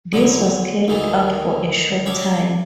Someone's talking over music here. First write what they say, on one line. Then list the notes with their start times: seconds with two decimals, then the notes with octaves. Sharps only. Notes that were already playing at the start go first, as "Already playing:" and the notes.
This was carried out for a short time.
0.13 E2 D3 F#3
0.88 D2 D#3 E3
2.06 F#3 G3 D4